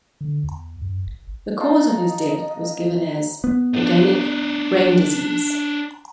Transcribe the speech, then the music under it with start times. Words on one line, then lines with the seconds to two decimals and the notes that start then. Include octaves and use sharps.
The cause of his death was given as "organic brain disease".
0.21 D3
0.44 E2
0.82 F#2
1.07 G#1
1.60 D#4 D#5 F5 A5
3.44 B3
3.74 D4 D#4